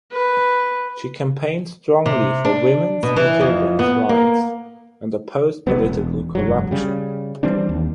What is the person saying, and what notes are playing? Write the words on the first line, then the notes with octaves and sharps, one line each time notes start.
She campaigned strongly for women's and children's rights, and opposed political corruption.
B4
C3
D4
B2
E3
F2
B3
A#3
G#1 C3 F#3 B3
E1
F1 G2 F#3
C#3 G3
E3 G3 C4 D4
D#2